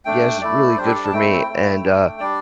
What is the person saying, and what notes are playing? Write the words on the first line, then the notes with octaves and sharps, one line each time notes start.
Yes. It's really good for me, and, uh,
A3 D4 G5
A3 E4 D5
G3 D4 C5
A4
D5
A5
A3 C4 E4 G5
G5
A3 E4
A3 D4
G3 D4 D5